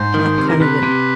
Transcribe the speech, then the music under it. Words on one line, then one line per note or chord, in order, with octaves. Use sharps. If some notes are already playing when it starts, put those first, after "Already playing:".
Matt Canavan.
Already playing: G#2 C5
D#3
C3
A#4
C3 B4
C3